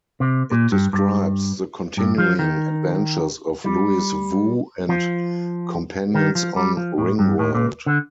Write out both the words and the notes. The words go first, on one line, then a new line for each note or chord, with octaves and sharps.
It describes the continuing adventures of Louis Wu and companions on Ringworld.
C3
A#2
G2
G2
G2
F3
D#3
G3
F3
D#3
F3
G3
F3
A2
G2
A2
A#2
D3